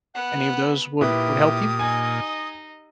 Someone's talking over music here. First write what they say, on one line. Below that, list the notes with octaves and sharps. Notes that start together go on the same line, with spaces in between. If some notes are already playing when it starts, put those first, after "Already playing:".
any of those would would help you?
B3 F#5
A#2 E4 G4 B4 D#6
D#4 D#5 G#5